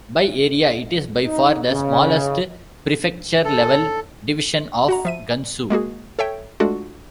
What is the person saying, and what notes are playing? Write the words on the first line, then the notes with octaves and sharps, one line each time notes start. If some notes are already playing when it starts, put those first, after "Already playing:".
By area, it is by far the smallest prefecture-level division of Gansu.
D#4
C#3
A4
F#4 F#5 A#5
F3 E5 D#7
G#3 A#3 F#4 G#4
A4 C#5 E5 G5
G#3 A3 D4 F4 F#4 A4